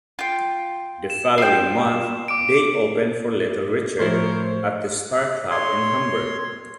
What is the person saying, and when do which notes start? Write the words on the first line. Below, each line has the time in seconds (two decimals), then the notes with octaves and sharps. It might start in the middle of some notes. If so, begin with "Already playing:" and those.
The following month, they opened for Little Richard at the Star Club in Hamburg.
0.19 F4 G5
1.10 E7
1.38 F4 G5
2.28 D6 D7
3.99 A2 F3 E4 A#4 C5 C#5
5.51 C#5 C6